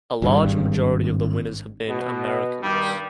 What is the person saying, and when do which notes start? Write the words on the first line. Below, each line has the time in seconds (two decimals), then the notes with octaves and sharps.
A large majority of the winners have been Americans.
0.22 G#1 G2 D3 G3
1.88 B2
2.61 G2 D#3 G3